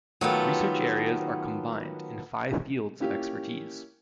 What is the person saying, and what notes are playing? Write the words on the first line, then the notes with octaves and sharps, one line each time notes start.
Research areas are combined in five fields of expertise.
D#3 F#3 A3 B3 F4 G4
A#3 C#4 E4 F4 G4